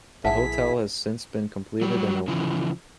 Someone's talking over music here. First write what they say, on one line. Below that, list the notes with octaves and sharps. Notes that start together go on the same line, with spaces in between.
The hotel has since been completed and opened.
A#1 E4 G#4 E5 F#5 A5 B6
F#3 G3
C#3 E3 F3